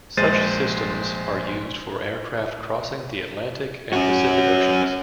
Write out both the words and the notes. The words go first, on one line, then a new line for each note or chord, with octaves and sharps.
Such systems are used for aircraft crossing the Atlantic and Pacific oceans.
A#1 G#3 C5 A6 D#7
C#4 F#4